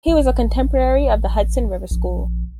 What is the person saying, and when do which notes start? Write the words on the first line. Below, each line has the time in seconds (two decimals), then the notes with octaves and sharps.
He was a contemporary of the Hudson River School.
0.08 A1
1.91 A#1